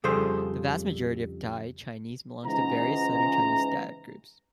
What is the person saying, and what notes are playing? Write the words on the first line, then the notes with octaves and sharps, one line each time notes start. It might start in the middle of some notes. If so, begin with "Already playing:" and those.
The vast majority of Thai Chinese belong to various southern Chinese dialect groups.
F2 C#3 G3 G#4 A4 C5
C#2 G#2 E3 A#5